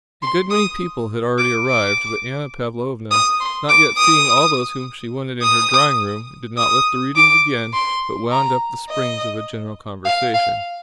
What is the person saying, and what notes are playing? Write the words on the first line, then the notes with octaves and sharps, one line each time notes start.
A good many people had already arrived, but Anna Pavlovna, not yet seeing all those whom she wanted in her drawing room, did not let the reading begin but wound up the springs of a general conversation.
C6
D#6
D6
D6
D#6
C6
D6
D#6
D#6
D#6
D6
C6
A#5
D#5
F5
F5